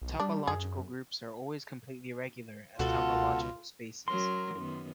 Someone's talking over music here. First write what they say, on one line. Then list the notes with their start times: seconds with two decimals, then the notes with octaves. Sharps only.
Topological groups are always completely regular as topological spaces.
0.02 B1
0.20 G3 D4
0.47 F#2 G#4
2.79 C#2 B2 F4 F#4 A4
4.08 F#3 C#4 A#4 C6
4.55 F#2 D#3 B3